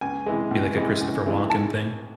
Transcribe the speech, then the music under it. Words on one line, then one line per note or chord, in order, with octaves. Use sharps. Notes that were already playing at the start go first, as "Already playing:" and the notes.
be like a Christopher Walken thing.
C#2 G#5
C3 E3 G#3
C#2
C3 E3 G#3
C#2
C3 E3 G#3
A5